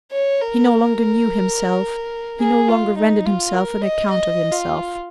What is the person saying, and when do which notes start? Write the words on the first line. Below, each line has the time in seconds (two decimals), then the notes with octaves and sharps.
He no longer knew himself, he no longer rendered himself an account of himself.
0.12 C#5
0.41 A#4
2.40 G#4
2.68 F4
2.97 D#4
3.26 F4
3.54 A#4
3.82 D#5
4.10 D#5
4.52 F4